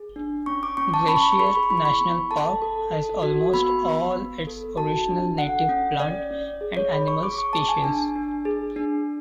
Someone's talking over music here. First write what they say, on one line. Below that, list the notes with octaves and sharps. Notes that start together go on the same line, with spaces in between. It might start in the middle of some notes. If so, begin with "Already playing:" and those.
Glacier National Park has almost all its original native plant and animal species.
Already playing: G#4
D4
C#4 C#6
D6
C#4 C#6
A5
C#4 B5
C#6
B5
C#6
G#4 B5
C#6
B5
C#6
E4 B5
C#6
B5
C#6
B3 B5
A4 A5
A4
A4
F#4
B3 B5
B3
B3
A4
F#4 A5
D4
A4 F#5
C#4
C#4 D5
C#4
G#4
C#5
G#4 B5
C#6
G#4 D6
C#6
G#4 A5
G#5
D4 G#5
D4
G#4
D4